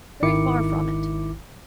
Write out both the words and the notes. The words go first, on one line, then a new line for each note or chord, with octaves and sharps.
Very far from it.
G#1 D#3 E4 D6 C#7